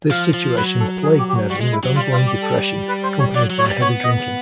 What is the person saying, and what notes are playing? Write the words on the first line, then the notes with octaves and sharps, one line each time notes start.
This situation plagued Nevin with ongoing depression, accompanied by heavy drinking.
F3 F5
F3
F#3 B4
A4
G#4
G4
G4
F#4
G3 F#4
G#3
E4
F#3
G3 F4
F4
G4
A4
B4
C5
C#5
F#3 D5
F#3
C#5
G3
B3 C#5
D#5